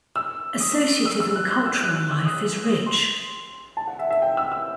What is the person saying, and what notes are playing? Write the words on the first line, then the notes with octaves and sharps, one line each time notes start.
Associative and cultural life is rich.
E6
D#6
E6
E6
F#6
F#6
E6
F#6
F#6
E6
D#6
C6
A5
F#5
E5
E5
G5
E6
E6